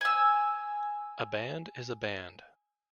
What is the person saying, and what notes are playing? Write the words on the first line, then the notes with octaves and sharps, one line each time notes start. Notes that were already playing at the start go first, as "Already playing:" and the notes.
A band is a band.
G#5 E6